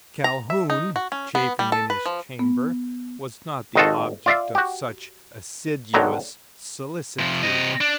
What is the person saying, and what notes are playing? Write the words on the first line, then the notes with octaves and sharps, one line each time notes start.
Calhoun, chafing in his chamber, was not the object of such assiduous solicitude.
A#5
E5
D#4
F#4
C#4
B3
G3
A4
B4
F3
B3
G#1 D#3 D#4 F4 F#4 A4
F4 D5 E5 F5
F#4 G4
B1 D3 D#3 F#3 A#5
C3 F3
C3 D#5
D4